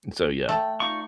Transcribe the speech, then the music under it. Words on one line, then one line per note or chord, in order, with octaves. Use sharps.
so, yeah,
A3 F#5 G5
D#4 F4 D5 C#6